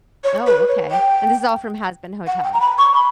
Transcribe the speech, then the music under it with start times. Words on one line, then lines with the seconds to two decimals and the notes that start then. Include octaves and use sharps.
Oh, okay, and this is all from "Hazbin Hotel?"
0.24 C#5
0.46 B4
0.68 C#5
0.91 G5
2.27 F#5
2.44 G5
2.53 A#5
2.60 B5
2.78 C#6
2.94 B5